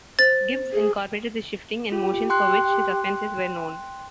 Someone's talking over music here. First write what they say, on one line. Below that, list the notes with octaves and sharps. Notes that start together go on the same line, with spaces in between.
Gibbs incorporated the shifting and motions for which his offenses were known.
C5 A6
G#4
F4 G4
G5 C6 F#6